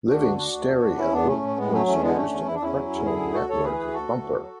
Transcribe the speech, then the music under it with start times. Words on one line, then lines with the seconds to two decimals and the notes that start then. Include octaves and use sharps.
"Living Stereo" was used in a Cartoon Network bumper.
0.08 D2 D4 F#4
0.23 D3
0.38 D2 D4 F#4
0.52 D2
0.67 E2
0.82 E2
0.97 E2 C#4 E4
1.12 E2 B3 D4
1.27 A2 A3 C#4
1.42 A2
1.56 A2 G#3 B3
1.71 F#3 A3 C#4
1.86 E2 A3 C#4
2.01 D3 G#3 B3
2.16 E2 A3 C#4
2.30 E2
2.46 E2 E4
2.55 D4
2.60 E2 C#4 E4
2.75 F#3
2.90 E2
3.05 D3 E4 G#4
3.20 D2
3.34 D2 F#4 A4
3.49 D2 A4 C#5
3.64 E3 G#4 B4
3.79 D2
3.94 D2 F#4 A4
4.09 D2
4.23 E2
4.38 F#3